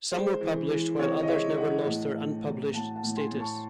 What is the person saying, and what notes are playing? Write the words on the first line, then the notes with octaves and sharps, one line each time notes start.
Some were published while others never lost their "unpublished" status.
G#3 C5
E3
E3
C3 C#5
D#5
G#3 C#5 E5
E3 D#5 F#5
A2
A2
F#3
A2 F#5 A5
F#5 A5
A2
G#5 C6
A2
A5 C#6